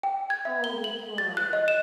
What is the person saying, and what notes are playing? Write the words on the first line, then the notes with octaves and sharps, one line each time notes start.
Oh, good,
G5
G#6
E5
G7
F#7
A6
F#6
D#5
E7